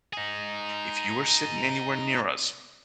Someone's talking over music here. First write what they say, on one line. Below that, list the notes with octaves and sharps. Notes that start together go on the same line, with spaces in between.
if you were sitting anywhere near us
D#4 G#4